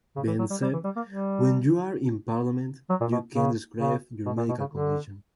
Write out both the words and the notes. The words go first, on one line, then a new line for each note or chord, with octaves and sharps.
Benn said: When you're in parliament, you can't describe your medical condition.
C#3
E3
F#3
G3
G3
E3
G3
A#3
G3
F#3
A#2
B2
C#3
C#3
B2
A#2
B2
C#3
D3